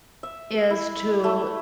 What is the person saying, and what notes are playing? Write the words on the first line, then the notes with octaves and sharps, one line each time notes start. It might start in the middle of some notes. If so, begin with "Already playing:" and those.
is to
E5
E4
A3